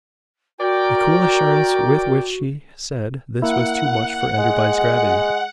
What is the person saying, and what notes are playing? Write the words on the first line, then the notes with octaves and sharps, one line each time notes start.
The cool assurance with which she said this was too much for Enderby's gravity.
F#4 A#4 D5 G5
A#3 E4 F#5
G#3